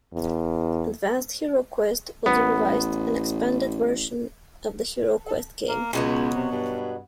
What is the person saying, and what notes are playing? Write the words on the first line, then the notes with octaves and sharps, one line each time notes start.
"Advanced HeroQuest" was a revised and expanded version of the HeroQuest game.
E2
A1 B3
A#3
C#2 B2 F#3 B3
C3
G2